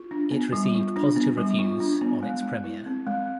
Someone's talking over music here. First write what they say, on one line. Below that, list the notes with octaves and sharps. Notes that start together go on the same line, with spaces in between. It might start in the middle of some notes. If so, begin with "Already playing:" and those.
It received positive reviews on its premiere.
Already playing: F4
D4
B3
G3
F4
D4
B3
G3
F4
D4
B3
G#3
G#3
E4
C4
G#3